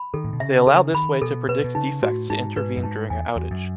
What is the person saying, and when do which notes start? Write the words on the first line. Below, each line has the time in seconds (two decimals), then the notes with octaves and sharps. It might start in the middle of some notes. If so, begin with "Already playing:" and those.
They allow this way to predict defects to intervene during a outage.
Already playing: B5
0.14 D#3 A4
0.24 A2
0.33 B2
0.40 C#3 E5
0.67 C#3 A4
0.94 D#3 B5
1.22 B2 A4
1.48 B2 B4
1.64 B2
1.75 C#3 D#4
2.02 A2 F#4
2.30 G#2 D#4
2.56 G#2 B4
2.77 F#2
2.83 G#2 D#4
3.10 E2 G#5
3.36 E2 F#4
3.51 F#2